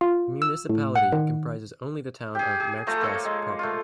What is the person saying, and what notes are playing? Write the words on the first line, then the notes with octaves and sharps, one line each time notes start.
The municipality comprises only the town of Merksplas proper.
F4
E6
A2
F#5
D#3
G4 G#4
G#4
F3 A3 A#5
A#3 A4 C#5 F5
G#3
A3 F4